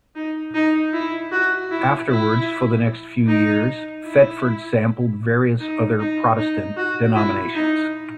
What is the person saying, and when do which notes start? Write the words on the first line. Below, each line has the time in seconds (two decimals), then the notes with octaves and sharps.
Afterwards, for the next few years, Thetford sampled various other Protestant denominations.
0.16 D#4
0.54 D#4
0.93 E4
1.32 F#4
1.71 E4
2.10 E4
3.27 D#4
4.05 E4
5.60 D#4
5.99 D#4
6.38 D#4
6.77 F#4
7.15 E4
7.55 D#4